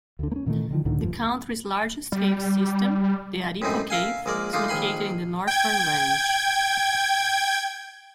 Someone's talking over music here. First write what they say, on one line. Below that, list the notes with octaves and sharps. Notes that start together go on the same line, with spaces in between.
The country's largest cave system, the Aripo Cave, is located in the Northern Range.
D2 D3
A#3 C#4
A#2 D#3 E3 A3
D3 D#3 F3
C#2 A2 D3 D#3
F1 G2 F3
G3
F#2 A2 G#3 C4 D#4
A#4 E5 F5 G#5
A#1 G#3 A#4 D5
G#3 A3 D4 D#4 F4
A#1 D#3 G#5 B5 C6
G5 G#6